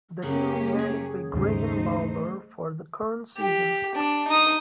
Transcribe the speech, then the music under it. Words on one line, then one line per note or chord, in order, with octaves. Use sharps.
The team is managed by Graham Lawlor for the current season.
F#2 C#3 A#3 C#4 G4
G#4
D#2 G#2 C#3 A3 D#4 C5
G4
D4
D#4 D#6